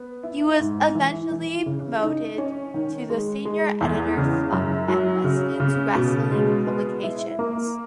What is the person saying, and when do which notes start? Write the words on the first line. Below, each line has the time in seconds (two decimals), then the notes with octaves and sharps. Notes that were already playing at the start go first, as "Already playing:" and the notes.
He was eventually promoted to the senior editor spot at Weston's wrestling publications.
Already playing: B3
0.23 E4
0.59 G#2
0.95 E3
1.31 E3
1.66 C#3
2.02 D#4
2.38 C#4
2.74 D#3
3.10 G#3
3.45 G#3
3.81 E2
4.17 C#3
4.53 F#2
4.88 F#3
5.24 C#3
5.60 C#3
5.95 B2
6.31 G#3
6.67 B3
7.03 E4
7.39 A#3